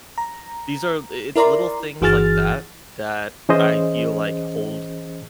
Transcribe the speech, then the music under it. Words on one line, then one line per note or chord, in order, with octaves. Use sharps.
these are i it's little things like that, that I feel like hold
A#5
E4 A#4 D5 A#5 C6
G1 E3 F#4 G#4 F6 A6
E3 C#4 G#4 C5 D#5